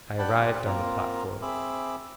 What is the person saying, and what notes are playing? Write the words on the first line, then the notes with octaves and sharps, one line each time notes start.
I arrived on the platform.
D4 D5 F#5 G5 A5 B5
G4 C5 F#5
A#3 C4 F4 A#4
C4 G#4 E5 B5 D6